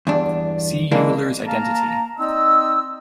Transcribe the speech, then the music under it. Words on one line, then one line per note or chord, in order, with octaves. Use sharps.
See Euler's identity.
E2 G2 D4
D3 E3 G#3 A#3 D4
A#3 F5 A5 A#5
C4 D#4 D5 D#5 E6